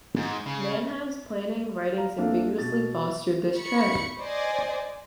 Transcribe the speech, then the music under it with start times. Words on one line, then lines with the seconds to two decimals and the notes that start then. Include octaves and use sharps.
Mannheim's "planning" writings ambiguously fostered this trend.
0.16 G#2
0.46 C#3
1.94 F5 A#5
2.18 F2 A#3 D4 E4 A4 F5
2.58 B2 A6
3.56 B5 C#6 C#7
4.19 C5 D5 D#5 G#5